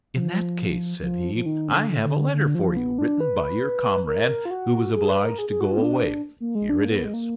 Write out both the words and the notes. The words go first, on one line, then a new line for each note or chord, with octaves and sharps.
"In that case," said he, "I have a letter for you, written by your comrade, who was obliged to go away. Here it is."
F3
F3
F3
D#3
D3
D3
D3
D3
F3
B3
D4
B4
A#4
F4
F#4
G#4
B4
A#4
G#4
G#4
F#4
F4
B3
D4
A#3
G#3
D4
A#3
B3
G#3
A#3